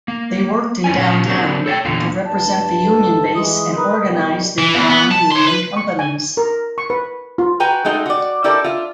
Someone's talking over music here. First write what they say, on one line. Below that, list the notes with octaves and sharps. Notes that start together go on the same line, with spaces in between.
They worked in downtown to represent the union base and organize the non-union companies.
A#3
F#2 C#4 D4 G#5
A#2 C#4 F5
F#3 A#3 C4 D4
A4 C#5 F5 G5
E2 A#2 D3 F4
G2 A5
A4
E3 G#3 D#6
A#4 B4
B2 D#3 G3
E3
E2 A#2
B3
A5
C#5 C6
B4
C#6
G#5
A#4
C#6
B4
F4
F#4 B4 G5 G#5 A#5
G#3 A3 D#4 F#4 G#4
F#4 D5
E4 G4 A4 A#4 D5
F4 E5